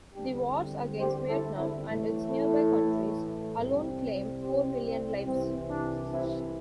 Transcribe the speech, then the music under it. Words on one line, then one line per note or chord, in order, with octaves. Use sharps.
The wars against Vietnam and its nearby countries alone claimed four million lives.
E2 D3 G3 C4 D4 G4
G4 C5
E4 A4
C4 E4
A2 E3 A3
E4 A4
C2 C3 G3 C4
G4 C5
C4
C2 C3 E3 C4
D4
C4 E4